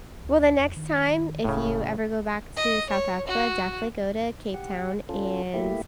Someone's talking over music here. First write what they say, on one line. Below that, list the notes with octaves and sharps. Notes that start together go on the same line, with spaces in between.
Well, the next time, if you ever go back to South Africa, definitely go to Cape Town, and
D2
F2
D#3
F1 A2 C#3
D#5
C#5
F#4
G4 F#5
C#4 F4 A4
A3 A#3 E4 G4 E5